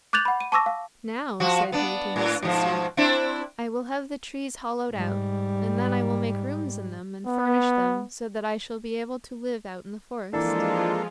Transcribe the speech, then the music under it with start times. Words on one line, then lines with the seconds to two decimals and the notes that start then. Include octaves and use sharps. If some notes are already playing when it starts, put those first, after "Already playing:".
'Now,' said he to his sister, 'I will have the trees hollowed out, and then I will make rooms in them and furnish them so that I shall be able to live out in the forest.'
0.13 D6 F#6 G6 A6 F7 F#7
0.25 F#5 B5
0.40 D#7
0.52 A5 C#6 D6 E6 A#6
0.66 F5
1.40 F3 F#4
1.72 B3 D4
2.16 A2
2.43 G#2 B2 F3
2.97 C4 D4 E4
4.92 G#2 G3
7.27 B3
10.33 E3 F3 G#3 A#3 D4 F4 A4